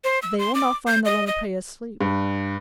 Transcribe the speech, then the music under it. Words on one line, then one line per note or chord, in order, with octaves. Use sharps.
"They will not find the Lenape asleep."
C5
E6
C6
D6
G6
D#5
D#5
G2